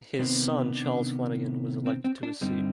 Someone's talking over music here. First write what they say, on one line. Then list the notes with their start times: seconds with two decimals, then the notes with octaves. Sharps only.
His son, Charles Flanagan, was elected to his seat.
0.19 C3 D#3 B3 C4
0.75 D4
1.86 C4
2.04 C4
2.23 D4
2.41 G2 D3 G3 C4 D#4